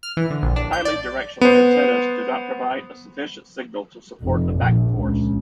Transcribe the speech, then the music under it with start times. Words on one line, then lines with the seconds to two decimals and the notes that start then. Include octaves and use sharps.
Highly directional antennas do not provide a sufficient signal to support a back course.
0.03 F6
0.17 E3
0.30 D3
0.43 A#1
0.56 D4
0.73 G6
0.85 D5
1.41 B3 C5
4.23 F1
4.55 A#1
4.96 C#2